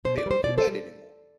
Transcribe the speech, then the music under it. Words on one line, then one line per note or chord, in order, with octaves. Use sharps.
They don't do that anymore.
B2 C5
D5
G3 C5
B2 D5
A4 C5
G3